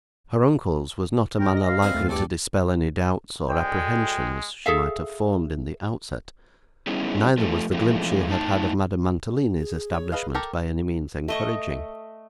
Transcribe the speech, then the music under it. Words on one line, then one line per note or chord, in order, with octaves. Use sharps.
Her uncle's was not a manner likely to dispel any doubts or apprehensions she might have formed, in the outset, neither was the glimpse she had had of Madame Mantalini's establishment by any means encouraging.
F#2 A#4 G5
D5 D#5 A#6
F5
C4 G#4 B4 D#5
D#2 A3 A6
E2 G2 A4 D5
D2 G#3 G5
G#4 A4 E5 F5
G3 B3 C#4 D#4 E4 G#4
F3 A3
C3 E3 F3 G#3 A3
A2 D#4 A5
G#4
C#5
B4 D#5 F5
G4 A4 A#4
A3 D#5 C#6